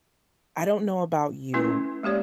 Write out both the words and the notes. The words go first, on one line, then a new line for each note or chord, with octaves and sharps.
I don't know about you,
A3 C#4 E4 A4 B4
G#3 A#3 G4 C#5 D5